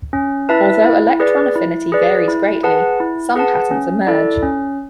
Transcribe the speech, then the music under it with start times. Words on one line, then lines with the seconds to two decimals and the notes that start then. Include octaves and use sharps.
Although electron affinity varies greatly, some patterns emerge.
0.13 C#4
0.49 E4 B4 E5 A5
0.84 E4
1.20 G#4 B4 D5
1.56 E4
1.92 G#4 B4 D5
2.28 E4
2.63 G#4 B4 F#5 A5
3.00 E4
3.36 G#4 B4 F#5 A5
3.71 C#4
4.07 E4 A4 D5
4.43 C#4